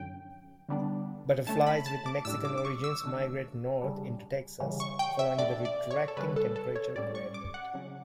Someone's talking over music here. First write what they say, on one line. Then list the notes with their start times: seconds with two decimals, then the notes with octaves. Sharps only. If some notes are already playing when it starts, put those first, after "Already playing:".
Butterflies with Mexican origins migrate north into Texas, following the retracting temperature gradient.
Already playing: F#2 D3 F#3 C#4 G5
0.69 D3 G3 B3 D4
1.47 D3 A3 C#4 A5
1.66 B5
1.86 A5
2.06 D6
2.25 A2 G3 D4 E6
2.45 D6
2.58 D6
2.65 C#6
2.84 E6
3.04 D3 A3 D4
3.82 C#3 G3 D4
4.60 C#3 E3 G3 C#4
4.80 C#6
4.99 G5
5.19 E5
5.38 B2 A3 D4 D5
5.65 D5
5.91 C#5
6.08 A4
6.17 C#3 G3 C#4 B4
6.36 A4
6.56 A4
6.75 C#5
6.95 A2 G3 C#4 D5
7.15 C#6
7.34 D6
7.54 F#5
7.74 C#3 F#3 C#4